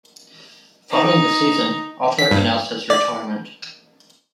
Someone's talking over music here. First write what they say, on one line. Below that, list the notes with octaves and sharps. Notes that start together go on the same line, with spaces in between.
Following the season, Otto announced his retirement.
D#4
B6
G2
D5